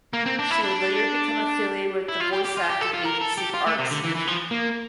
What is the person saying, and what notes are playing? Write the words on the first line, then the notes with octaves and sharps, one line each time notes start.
She would later become affiliated with the voice acting agency Arts Vision.
A#3
C4
D4
E4
D4
E4
F4
G4
G4
F4
G4
A4
F4
A#4
A4
G4
F4
A3
C3
D3
E3
E3
F3
A#3